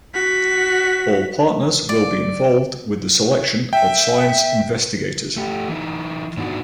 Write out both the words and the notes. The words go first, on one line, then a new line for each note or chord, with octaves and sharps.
All partners will be involved with the selection of science investigators.
F#4 B6
D5
E5 G5
A3 G4
E3 D#4
G#2 B3 D4 D#4 F#4